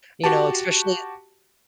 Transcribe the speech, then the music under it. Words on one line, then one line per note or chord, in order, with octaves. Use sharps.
you know, especially at
F#4 G4 A5